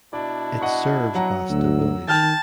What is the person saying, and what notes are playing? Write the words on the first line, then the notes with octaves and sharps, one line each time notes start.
It serves Basta village.
B2 D4 E4 D5
D#5 F#5 C#6
F#3 F#5 A#5
D2 E6
D#3 G5 A5 F6 G6